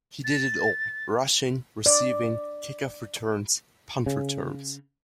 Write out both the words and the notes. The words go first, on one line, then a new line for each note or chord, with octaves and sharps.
He did it all -- rushing, receiving, kickoff returns, punt returns.
A6
D5
C#3